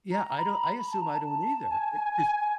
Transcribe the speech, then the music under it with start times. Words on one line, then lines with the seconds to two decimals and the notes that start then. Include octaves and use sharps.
Yeah, I don't I assume I don't either. It 'cause
0.12 A#5
0.39 B5
0.92 A5
1.01 A#5
1.09 A5
1.71 G#5